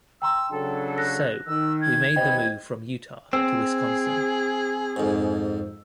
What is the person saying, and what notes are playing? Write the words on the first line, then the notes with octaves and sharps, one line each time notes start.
So, we made the move from Utah to Wisconsin.
G5 A#5 C6 E6
C#3 F#3 D4 A4
F#6 A#6
D#3 E6
G#6
D#2 C3 B3 C5 D#5 G5
C4 G#4 E6
F2 G#2